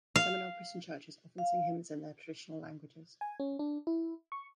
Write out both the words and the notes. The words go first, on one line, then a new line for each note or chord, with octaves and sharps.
Seminole Christian churches often sing hymns in their traditional languages.
F5
F5
G#5
C#4
D4
E4
C#6